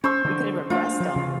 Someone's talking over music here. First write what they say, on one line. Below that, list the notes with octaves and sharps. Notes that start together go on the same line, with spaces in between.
You could've impressed 'em.
C#4 C5 C#6 E6
D3 F3 D4
A3 A#3 D4 F4
F3 F#3
D2 C3 E3